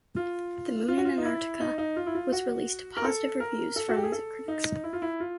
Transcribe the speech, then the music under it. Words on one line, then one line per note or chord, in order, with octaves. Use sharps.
"The Moon and Antarctica" was released to positive reviews from music critics.
F4
F4
F#4
F4
D#4
E4
D#4
D#4
F4
E4
F4
F#4
A#4
A4
A#4
A4
F#4
G4
G#4
A4
D#4
E4
F4
E4
F4